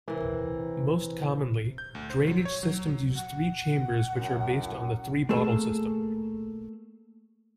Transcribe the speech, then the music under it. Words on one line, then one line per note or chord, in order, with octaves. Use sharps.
Most commonly, drainage systems use three chambers which are based on the three-bottle system.
C3 E3 A#4
G6
D2
C5
F#3
C#5
F#3
F#5
F#2
A3 A#3 G#4 A4